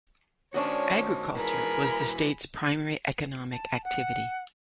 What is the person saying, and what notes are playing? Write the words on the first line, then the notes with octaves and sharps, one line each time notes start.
Agriculture was the state's primary economic activity.
D#3 C#4 D4 F#4 C5 C#5
E4 F#4 G#4 A#4 B4 B5
A5
F#5